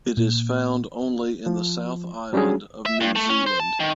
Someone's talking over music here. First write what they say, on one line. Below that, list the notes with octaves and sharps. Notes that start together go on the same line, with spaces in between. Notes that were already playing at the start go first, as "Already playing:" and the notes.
It is found only in the South Island of New Zealand.
A#2
F3
F#3 G3 C#4 D4 F#4 G#4
E5
G2
A3
C#4
C5
A5
D#3